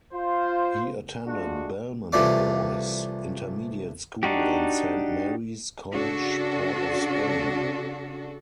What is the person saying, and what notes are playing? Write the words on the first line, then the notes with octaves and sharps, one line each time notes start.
He attended Belmont Boys Intermediate School and Saint Mary's College, Port of Spain.
F4 C5
G#3 A3 D4 F4 F#4
C2 E3 F3 A3 D5 D6
D4 D#4 F#4 G4
C#3 D4 F#4 A4